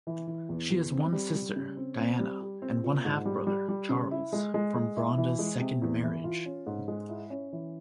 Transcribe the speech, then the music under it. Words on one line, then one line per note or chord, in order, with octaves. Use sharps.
She has one sister, Diana; and one half-brother, Charles, from Bronda's second marriage.
E3
E3
E2
E2
C4
G3
G3
C#3
C4
C4
G3
G4
C4
A#2
G#2
G3
G3
G3
C#3
E4
G#3
G#3
G#3
E4
E3
G#3
C3
E2
E3
F4
C#4
G#2
G#3
E4
C#4
E3